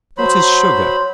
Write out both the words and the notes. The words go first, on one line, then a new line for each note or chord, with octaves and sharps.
What is Sugar?
F#3 C5 B5